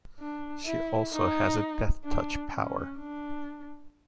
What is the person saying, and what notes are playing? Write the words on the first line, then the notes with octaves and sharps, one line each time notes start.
She also has a death touch power.
D4
E4
D#4
D4
C#4
D4